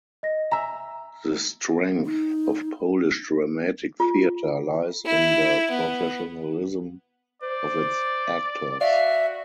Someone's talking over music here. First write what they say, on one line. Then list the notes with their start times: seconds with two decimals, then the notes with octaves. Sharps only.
The strength of Polish dramatic theatre lies in the professionalism of its actors.
0.23 D#5 A#6
0.51 E5 G#5 A#5
2.05 D#4
4.00 F4
5.06 E4
5.71 B3
7.42 C5 D5
8.81 F#4 D5 E5 F5